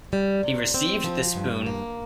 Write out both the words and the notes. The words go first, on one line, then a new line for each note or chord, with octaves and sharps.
He received this boon.
G3
C3
C4
F3
G2
A#3